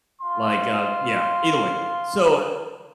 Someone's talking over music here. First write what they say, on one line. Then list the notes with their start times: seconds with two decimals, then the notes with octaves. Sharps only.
like, uh, yeah, either way, so, uh
0.21 F4 C6